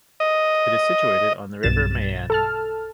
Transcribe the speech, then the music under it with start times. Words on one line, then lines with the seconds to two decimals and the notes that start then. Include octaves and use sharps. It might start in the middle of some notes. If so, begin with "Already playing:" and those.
It is situated on the river Mayenne.
0.20 D#5
1.63 B1 G2 A6 E7
2.30 A4 A5 F6